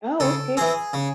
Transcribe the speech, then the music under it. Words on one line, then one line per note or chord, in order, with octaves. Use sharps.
Oh, okay.
C#3 A4
E3 C4 G#4
C#3